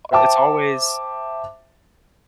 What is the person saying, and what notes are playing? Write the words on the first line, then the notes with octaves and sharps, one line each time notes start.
a it's always,
C5 E5 G5 A5 D6